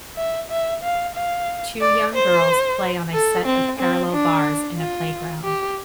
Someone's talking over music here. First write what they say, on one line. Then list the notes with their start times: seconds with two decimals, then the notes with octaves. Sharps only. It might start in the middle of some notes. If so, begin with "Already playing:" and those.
Two young girls play on a set of parallel bars in a playground.
0.16 E5
0.50 E5
0.83 F5
1.15 F5
1.81 D5
2.14 C5
3.14 A4
3.46 C4
3.79 C4
4.12 D4
4.78 F4
5.43 G4